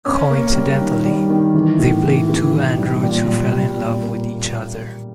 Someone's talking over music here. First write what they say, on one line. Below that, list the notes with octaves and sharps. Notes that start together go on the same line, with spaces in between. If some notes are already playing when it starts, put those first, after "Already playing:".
Coincidentally, they played two androids who fell in love with each other.
C#4
A#3
G3
D#3
G3
D#3
E3
A2
E3
E3
E3
G3
A#2
G3
G3
A#2
A#3